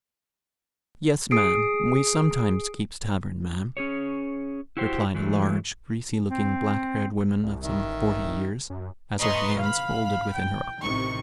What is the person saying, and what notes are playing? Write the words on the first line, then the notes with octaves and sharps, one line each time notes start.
"Yes, ma'am; we sometimes keeps tavern, ma'am," replied a large, greasy-looking, black-haired woman of some forty years, as, her hands folded within her up-turned apron, she courtesied to W----.
G#4 D#6 C7 D7
C#4 G#4 C#5
E4 F#4 G4 C5
E3 F#3 G#3 A3
C4
C2
D#3 E5
A1
F#2
B4 D#5 A#5 C6 C#6
F5 B5
G5
A1 C3 D#3 C#6